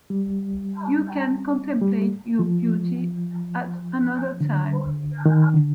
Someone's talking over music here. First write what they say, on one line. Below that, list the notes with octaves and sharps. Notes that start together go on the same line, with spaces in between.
You can contemplate your beauty at another time.
G3
G3
F3
D3
D#3
D3